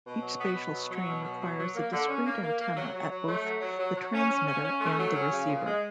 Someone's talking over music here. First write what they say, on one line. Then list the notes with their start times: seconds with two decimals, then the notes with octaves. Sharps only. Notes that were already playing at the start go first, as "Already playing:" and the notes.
Each spatial stream requires a discrete antenna at both the transmitter and the receiver.
0.05 B2
0.21 F#3
0.38 B3
0.55 B2
0.72 F#3
0.89 F#3
1.06 B2
1.23 B2
1.40 F#3
1.57 F#3
1.75 A#3
1.91 D3
2.08 C#4
2.25 A#3
2.42 A#3
2.59 A#3
2.75 F#3
2.94 F#3
3.10 F#3
3.26 A3
3.44 F#3
3.61 F#3
3.78 F#3
3.95 F#3
4.12 C#4
4.29 C#4
4.46 C#4
4.63 C#4
4.80 A3
4.97 F#3
5.14 C#4
5.31 C#3
5.48 A#2
5.64 G#3